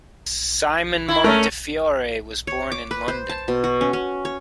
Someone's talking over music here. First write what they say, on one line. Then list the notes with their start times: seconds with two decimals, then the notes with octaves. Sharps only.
Simon Montefiore was born in London.
1.08 E4
1.24 A3 C#4 A#4
2.47 C#5
2.72 D6
2.91 B4
3.08 C5
3.29 A5
3.48 B2
3.64 F#4
3.81 C#4
3.93 C#4
4.25 C#5